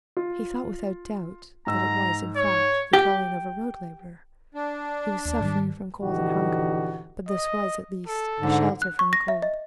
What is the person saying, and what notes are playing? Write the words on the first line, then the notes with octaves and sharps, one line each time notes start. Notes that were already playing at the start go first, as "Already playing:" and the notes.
He thought without doubt, that it was, in fact, the dwelling of a road-laborer; he was suffering from cold and hunger, but this was, at least, a shelter from the cold.
F4
G#2 A#5 E6
C#5
G4
D4
D#2
G#2 D#3 G3
A#1 D3 E3 D#4 F#4 G4
D#5
A4
G#2 D3
F#6
C#6
A#6
E5
D#5